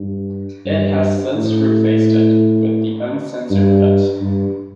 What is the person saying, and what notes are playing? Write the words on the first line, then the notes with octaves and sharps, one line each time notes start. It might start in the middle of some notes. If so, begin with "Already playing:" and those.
It has since replaced it with the uncensored cut.
Already playing: G2
G2
A2
G2
G2